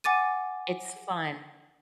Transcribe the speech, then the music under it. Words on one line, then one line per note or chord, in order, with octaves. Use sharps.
it's fun.
F#5 G#5 D6 A6 D#7